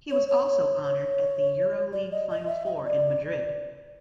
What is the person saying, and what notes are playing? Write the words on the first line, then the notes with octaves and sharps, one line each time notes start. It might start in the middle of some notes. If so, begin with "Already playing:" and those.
He was also honored at the EuroLeague Final Four in Madrid.
C#5
C#5
C#5
D5
D#5
D#5
E5
D#5
D5